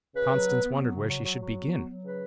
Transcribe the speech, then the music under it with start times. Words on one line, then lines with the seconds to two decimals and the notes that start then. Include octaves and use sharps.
Constance wondered where she should begin.
0.15 C#3 B4
0.31 F#3
0.47 B3
0.63 B3
0.78 F#3
0.94 C#3
1.10 F#3
1.25 F#3
1.42 F#3
1.57 B3
1.73 F#3
1.89 F#3
2.04 C#3 B4